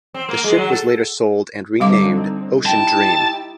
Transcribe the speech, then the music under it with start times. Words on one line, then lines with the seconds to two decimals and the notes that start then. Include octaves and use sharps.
The ship was later sold and renamed "Ocean Dream".
0.14 C4
0.29 A#3
0.44 G#3
0.58 F#3
0.71 A4
1.80 D3 G3 C4 D#4 F5 D6
2.66 D#4 E4 G4 G5 A5